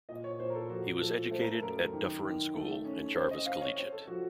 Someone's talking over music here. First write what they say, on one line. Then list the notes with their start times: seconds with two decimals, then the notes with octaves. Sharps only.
He was educated at Dufferin School and Jarvis Collegiate.
0.09 A#2 D#5
0.24 C#5
0.39 A#2 C5
0.50 A#4
0.55 A4
0.69 F3 F#4
1.01 F3 A4
1.31 A3 C5
1.42 A#4
1.52 A4
1.62 F#2 A#4
1.93 D#3
2.23 D#3
2.54 A3
2.85 C#4
3.15 C4 C5
3.31 D#5
3.45 C4 F5
3.61 C#5
3.77 C4 C5
3.92 A4
4.07 F3 F#4